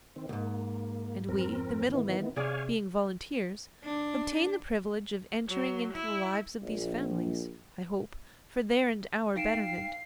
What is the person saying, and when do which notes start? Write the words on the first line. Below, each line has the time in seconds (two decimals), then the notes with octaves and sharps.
And we, the middlemen, being volunteers, obtain the privilege of entering into the lives of these families, I hope, for their and our betterment.
0.16 D#3 C4
0.29 C#2 G#2 A#3
1.29 F2 C4 A#4
1.88 D#3 E3 B3
2.36 C3 G#4 C#5 D5 F5 G#5
3.85 D4
5.48 F#3
5.93 E4
6.62 A#1
9.36 D#4 F5 G5 C7 D7 E7